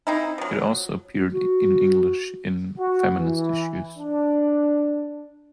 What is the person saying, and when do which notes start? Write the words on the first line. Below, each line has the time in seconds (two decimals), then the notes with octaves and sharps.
It also appeared in English in "Feminist Issues".
0.07 C4 D#4 E4
0.38 F3 F#3
1.32 F#4
2.79 F#4
3.15 E3
3.97 D4